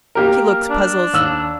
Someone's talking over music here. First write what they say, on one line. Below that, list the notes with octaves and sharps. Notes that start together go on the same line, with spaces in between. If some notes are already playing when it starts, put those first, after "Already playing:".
He looks puzzled.
A#3 G4 A#4
D4
D#2 E6 F#7